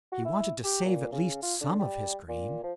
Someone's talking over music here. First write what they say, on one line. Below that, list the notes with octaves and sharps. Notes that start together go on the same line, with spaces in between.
He wanted to save at least some of his grain.
F#4
E4
G4
A#2
C#3
F4
D3
G3
A#2
F3